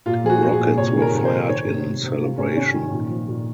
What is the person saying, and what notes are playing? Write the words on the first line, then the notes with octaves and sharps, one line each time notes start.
Rockets were fired in celebration.
A#2 F4
F3 G#4
F#4
F3 F#4
G#4
A#2
C3 C#5
D#3 G#4
A#4
C3
C5
D#3
D#3 C#5
C3
C3
C3
C3 F4
C3 C#4
D#3 C#4
D#3
A#2
F3
A#2